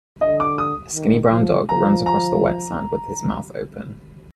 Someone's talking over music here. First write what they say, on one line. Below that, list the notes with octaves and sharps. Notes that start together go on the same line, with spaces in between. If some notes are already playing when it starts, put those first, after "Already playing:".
A skinny brown dog runs across the wet sand with his mouth open.
D3 D#5
D6
D#6
D#3
F3
F3 A#5
A#5